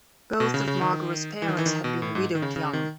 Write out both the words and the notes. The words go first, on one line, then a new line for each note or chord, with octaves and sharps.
Both of Margaret's parents had been widowed young.
B2
C#3
C#3
D#3
E3
D#3
E3
D#3
B2
A2
G#2
D#3
C#3
C#3
D#3